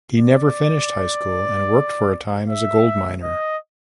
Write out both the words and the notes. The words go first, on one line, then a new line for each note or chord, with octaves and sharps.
He never finished high school and worked for a time as a gold miner.
D5
E5
D#5